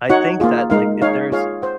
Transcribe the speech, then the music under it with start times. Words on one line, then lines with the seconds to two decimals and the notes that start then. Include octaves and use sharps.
I think that, like, if there's
0.10 D#4 F#4 C#5 F#5
0.40 A#3 F4 G#4
0.70 G#3 D#4 A#4 F5
1.02 D#4 G#4 C#5 F5
1.32 F4 G#4 C#5 F5
1.62 C5 F#5